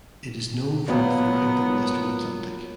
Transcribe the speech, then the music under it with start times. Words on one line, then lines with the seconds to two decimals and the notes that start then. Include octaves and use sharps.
It is known from throughout the western Atlantic.
0.88 A#2 F#3 B3